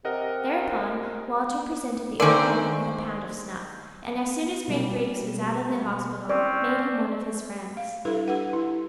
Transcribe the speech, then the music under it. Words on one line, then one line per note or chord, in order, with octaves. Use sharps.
Thereupon Walter presented the old woman with a pound of snuff, and as soon as Green Breeks was out of the hospital made him one of his friends.
C3 A#4 D#5 F#5
D3 D#3 C4 A#4 D5 G#5
B2 G3 A#3
C4 C#4 D5
F5
G3 D4 E4 G4 A4 B4
G4 B4 F#5
E4